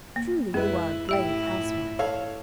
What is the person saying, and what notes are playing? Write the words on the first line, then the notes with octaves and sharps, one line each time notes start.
Truly, you are a brave housewife!
A#3
F#2 G#3 E4 B4
A2 E4 G4 E5 G5
G2
A4 C#5 F5